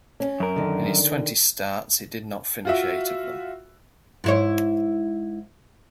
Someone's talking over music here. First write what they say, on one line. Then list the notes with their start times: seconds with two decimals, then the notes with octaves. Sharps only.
In his twenty starts, he did not finish eight of them.
0.20 C#4
0.40 F#2 A#4
0.56 D3 D#3
2.65 F4 F#4 E5
4.24 G#2 E4 C#5